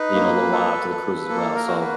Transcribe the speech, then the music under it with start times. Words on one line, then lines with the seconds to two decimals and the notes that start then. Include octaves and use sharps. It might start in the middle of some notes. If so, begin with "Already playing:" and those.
you know, a little while after the cruise as well. So,
Already playing: D#4 B4
0.14 A#3
0.52 A4
0.90 A4
1.28 A#3 A4
1.55 A#4
1.67 F#4
1.80 B4